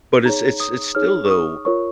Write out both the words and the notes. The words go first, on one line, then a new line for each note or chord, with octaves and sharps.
But it's it's it's still though,
D#4 G#4 C#5 A#5
D#6
D#4 G#4 C#5 F6
C#6
D#6
F4 A#4 C#5 C#6